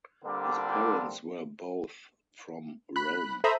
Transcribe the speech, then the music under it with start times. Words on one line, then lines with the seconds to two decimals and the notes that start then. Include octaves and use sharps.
His parents were both from Rome.
0.25 D3 G3 A#3 C4 D4
2.96 B5 F#6
3.44 A4 C5 E5 A#5 B5 D#6